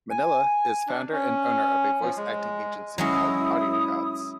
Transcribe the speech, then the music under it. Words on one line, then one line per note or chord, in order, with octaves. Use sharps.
Minella is founder and owner of a voice-acting agency called AudioGodz.
G#5
D4
C#4
F3
G#3
F#3 G#3 C#4 E4 D#6